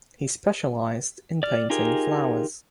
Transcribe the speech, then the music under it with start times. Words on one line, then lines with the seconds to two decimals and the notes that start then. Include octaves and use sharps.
He specialized in painting flowers.
1.43 D5 F6
1.70 D#4 F4 G4 G#4 A#4